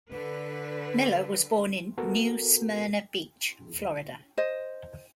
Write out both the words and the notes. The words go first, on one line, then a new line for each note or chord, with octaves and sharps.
Miller was born in New Smyrna Beach, Florida.
D3 B4
B3 F#4 A4 A#4
C5 D#5